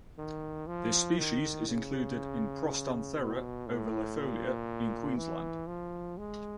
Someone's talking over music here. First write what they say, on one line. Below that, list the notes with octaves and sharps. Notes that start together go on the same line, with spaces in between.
This species is included in "Prostanthera ovalifolia" in Queensland.
D#3
F3
D#3
C#3
B2
A2
A#2
E3
F3
G#3